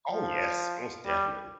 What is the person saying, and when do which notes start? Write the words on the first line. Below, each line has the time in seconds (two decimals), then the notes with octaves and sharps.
Oh yes, most definitely.
0.11 F3
1.06 G3